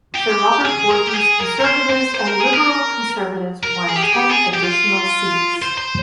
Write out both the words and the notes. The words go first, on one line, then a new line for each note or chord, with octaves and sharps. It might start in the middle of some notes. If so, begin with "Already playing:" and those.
Sir Robert Borden's Conservatives and Liberal-Conservatives won ten additional seats.
G4
G#4
A#4
G4
G#4
A#4
A#4
C5
C5
C5
A#4
G#4
A#4
A#4
G#4
G4
G#4
G4
G#4
G4
F4
C5
C5